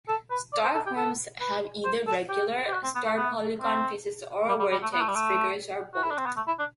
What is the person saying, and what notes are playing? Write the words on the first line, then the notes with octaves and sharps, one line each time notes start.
Star forms have either regular star polygon faces or vertex figures or both.
A4
B4
D5
C5
A4
G4
A4
B4
C5
A4
G4
G4
F#4
C4
B3
A3
B3
C4
G3
G3
G3
A3
B3
A3
G3
A3
F#4
E4
D4
C4
B3
A3
E4
D4